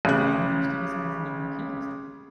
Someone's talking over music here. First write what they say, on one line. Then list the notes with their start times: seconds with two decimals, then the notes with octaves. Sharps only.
Lena möchte wissen, was in dem Paket ist.
0.05 A1 C#3 F#6